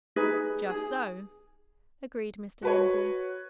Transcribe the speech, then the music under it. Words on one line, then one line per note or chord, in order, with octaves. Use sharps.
"Just so," agreed Mr. Lindsey.
D#4 G#4 B4
G#4
F#4 B4 C#5